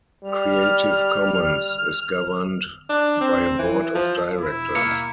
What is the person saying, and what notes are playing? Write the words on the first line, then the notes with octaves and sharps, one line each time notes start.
Creative Commons is governed by a board of directors.
G3 F6
D4
C4
E3
F3
E1 E4
D#2 B2 A#3 C#7